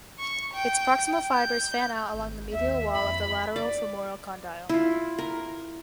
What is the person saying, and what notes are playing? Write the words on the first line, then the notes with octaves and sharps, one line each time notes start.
Its proximal fibers fan out along the medial wall of the lateral femoral condyle.
C#6
G5
G6
G#1
D#2 E5
F2 B5
D5
E4 F4
A#4